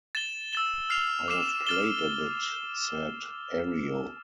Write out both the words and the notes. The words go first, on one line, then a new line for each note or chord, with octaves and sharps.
"I have played a bit," said Ario.
A6 E7 G7
E6 A6 E7 G7
F6 C7 F7
D6 F6 C7 E7
F6 A6 E7 G7